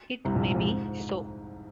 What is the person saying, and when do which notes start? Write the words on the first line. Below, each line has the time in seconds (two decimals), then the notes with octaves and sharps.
It may be so.
0.25 C2 C3
0.34 A#1 A#2
0.45 G#2
0.55 F2
0.65 G#2